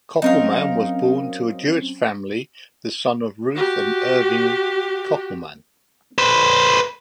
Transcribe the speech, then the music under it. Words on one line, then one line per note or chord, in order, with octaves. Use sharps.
Koppelman was born to a Jewish family, the son of Ruth and Irving Koppelman.
F#3 C4 C#4 D#4 A#4 F5
F#4 G4
B4 C5